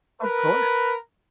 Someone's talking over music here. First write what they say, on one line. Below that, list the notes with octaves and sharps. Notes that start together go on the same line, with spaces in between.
Of course.
A#4 B4